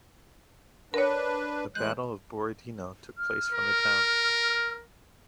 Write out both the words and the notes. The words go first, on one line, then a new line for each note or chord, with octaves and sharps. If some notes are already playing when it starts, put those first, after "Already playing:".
The Battle of Borodino took place from the town.
D4 A#4 B4 C#5
E3 G#3 F#6 G6
F6
A#4